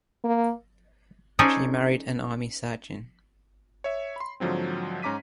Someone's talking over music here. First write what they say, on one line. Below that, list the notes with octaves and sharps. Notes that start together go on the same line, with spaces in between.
She married an Army surgeon.
A#3
C#4 D#4 G#4 A4 C5 D5
C#5 E5
B5 C6
G#2 D3 F3 F#3 C4
G#2 C#4 A#5 D6 B6 D#7